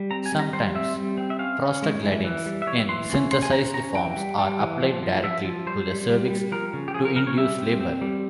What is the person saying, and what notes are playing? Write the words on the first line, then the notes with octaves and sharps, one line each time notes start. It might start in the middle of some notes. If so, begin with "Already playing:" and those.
Sometimes prostaglandins in synthesized forms are applied directly to the cervix to induce labor.
Already playing: G3
C4 A#5
G#5
G3
A#5
G3 C5
C4 E5
G3
C4
E5
C#4 F5
C#4
G#3
E3
E3
G3
E5
E3 C#5
E3 C6
C#4 C6
C#4 C6
G#5
C#4 A#5
C#4 A#5
E3 G5
G3
G3
E3
F3
F3
F3 E5
F3
G3 C5
G3
G3
G3
F3 A#4
C#3
G4
F3 G#4
A#4
C#3 A#4
C#5
G3 E5
C4
C4
G3